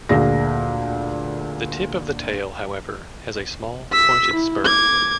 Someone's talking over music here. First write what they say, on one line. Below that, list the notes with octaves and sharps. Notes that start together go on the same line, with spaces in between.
The tip of the tail, however, has a small, pointed spur.
D2 A#2 D3 G#4 A#6
E6 B6
E4
D6 G#6